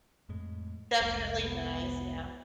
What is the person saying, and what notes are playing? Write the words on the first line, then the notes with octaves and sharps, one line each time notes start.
Definitely nice, yeah.
F2 A2 G#3
F1 C2 G#3
B3